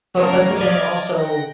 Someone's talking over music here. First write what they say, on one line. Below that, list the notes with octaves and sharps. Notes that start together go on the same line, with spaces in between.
but but but then also
A3 A#3 C#4 A#4 C#7
D5 D#5 D6 F6 G#6
F#5 G5 A#6